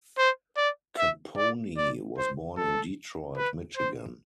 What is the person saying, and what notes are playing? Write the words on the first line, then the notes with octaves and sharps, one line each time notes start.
Caponi was born in Detroit, Michigan.
C5
D5
E5
D5
D5
C5
A4
B4
C5